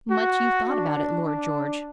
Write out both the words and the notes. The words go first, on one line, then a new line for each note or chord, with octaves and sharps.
"Much you thought about it, Lord George."
F#4
D4
D4